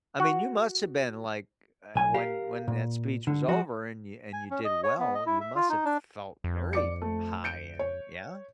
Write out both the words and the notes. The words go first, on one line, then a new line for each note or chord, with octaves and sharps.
I mean, you must've been, like uh, when when that speech was over and you and you did well, you must've felt very high and Yeah?
F#4
B1 G#5
G4 A#4 F5
A#2
D3
F3 F#4
G#5
C#4
D#5
C#5
B3
D#5
E4
E5
F4
D#4
D4
F2
D5 D6 C#7
A3
G6 C#7 D7
C#5